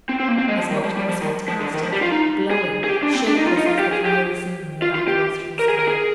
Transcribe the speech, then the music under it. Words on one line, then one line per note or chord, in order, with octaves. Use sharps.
His motive was fantastic, glowing, shapeless as the fiery scenery about the western sky.
C4
C4
A#3
C4
G#3
F3
D#3
F3
G3
F3
D#3
F3
D3
D#3
F3
G3
F4
D#4
G#4
G#4
G4
D4
C4
D4
D#4
F4
D#4
F4
G4
G#4
G4
F4
F4
G4
A#4
G#4
A#4
G#4